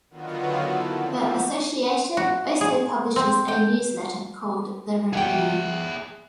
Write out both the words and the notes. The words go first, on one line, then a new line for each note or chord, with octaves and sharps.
The Association also publishes a newsletter called the Review.
D3 D#3 F#3 B3 F4 F#4
E4 A4
F3 C4
F#4
G#4
C4
G5
G#4 E5 F#5 G5